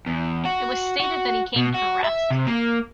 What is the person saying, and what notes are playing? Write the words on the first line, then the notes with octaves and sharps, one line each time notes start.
It was stated that he came for rest.
E2
F#4
F#4
B2
F#4
E5
C3
A#3